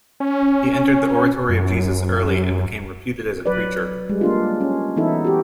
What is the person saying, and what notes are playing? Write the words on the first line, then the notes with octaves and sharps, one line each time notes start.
He entered the Oratory of Jesus early and became reputed as a preacher.
C#4
F#2
F#3 B4 D5
G3 G#3
A#3 D4 F4
C#4
E3 B3 D#4 E4 A4
F#4 G4